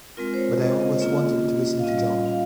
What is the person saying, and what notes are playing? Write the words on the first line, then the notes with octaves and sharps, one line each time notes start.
But I always wanted to listen to John.
G#3 C4 F4 A#4
C5
C#5
D#5
D#5
A#3 C#4 F4
F5
G3 C#4 F4 D#5
F5